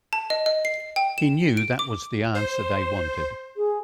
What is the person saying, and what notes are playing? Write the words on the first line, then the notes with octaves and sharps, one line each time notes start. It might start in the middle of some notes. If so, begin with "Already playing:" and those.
He knew that was the answer they wanted.
A5
D#5
D#5
C7
G5
E7
D7
D6
C5
G#4